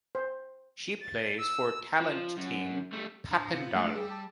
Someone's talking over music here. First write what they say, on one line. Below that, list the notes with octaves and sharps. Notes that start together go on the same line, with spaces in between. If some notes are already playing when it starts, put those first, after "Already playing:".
She plays for Talent Team Papendal.
C5
A6
E6
F3
F#2
G3 A3
D4 F5 A#5
C3 B3 F4
F3 F#3 G#3 A3 D4
G3 G#4 E6
A5